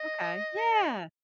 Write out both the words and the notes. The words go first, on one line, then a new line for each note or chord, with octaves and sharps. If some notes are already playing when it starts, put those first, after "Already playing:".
Ma okay, yeah.
Already playing: D#5